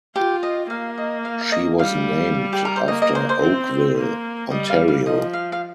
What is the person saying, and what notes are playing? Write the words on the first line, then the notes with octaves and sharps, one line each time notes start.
She was named after Oakville, Ontario.
F4 G4
D#5
A#3 F5
D#5
F5
F5
D#5
G3 F5
G4
A#4
C5
A#3 D#5
D#5
C5
C5
C4
A#3
G3 D#5
F5
F5
F3 D#5
F5
F5